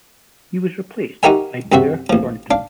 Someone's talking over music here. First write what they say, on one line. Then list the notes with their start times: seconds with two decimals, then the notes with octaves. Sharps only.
He was replaced by Blair Thornton.
1.23 D#4 F#4 G4 A#4 E5 G#5
1.72 F#2 C3 C4 F#4 E5
2.10 A1 F3
2.51 D4 F5